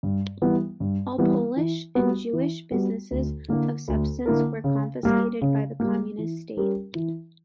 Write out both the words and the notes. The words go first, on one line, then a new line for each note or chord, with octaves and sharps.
All Polish and Jewish businesses of substance were confiscated by the Communist State.
G2
E3 G3 B3
G2
E3 G3 B3
E3
G3 B3 F#4
E3
G3 B3 F#4
D2
D3 A#3 E4 A#4
D2
D3 A#3 E4 A#4
C#3
G3 A#3
C#3
G3 A#3
E3
G3 C#4 G4 A#4
E3